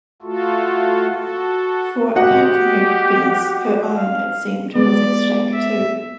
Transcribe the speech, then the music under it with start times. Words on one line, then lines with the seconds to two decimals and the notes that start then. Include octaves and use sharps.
For apart from her happiness, her own, it seemed, was at stake too.
0.22 A3 F4 F#4 A4
1.12 F#4 A4
2.16 F#4 G4 D#5 F#5
3.96 F5
4.75 G#3 B3 D5
5.54 E5